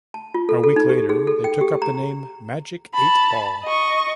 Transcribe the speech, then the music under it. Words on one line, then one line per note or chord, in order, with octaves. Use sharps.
A week later, they took up the name Magic Eight Ball.
A5
F4
A4
A4
D#4
G4
G#4
A4
G5
G4
A#5
A5 B5
D#5 C#6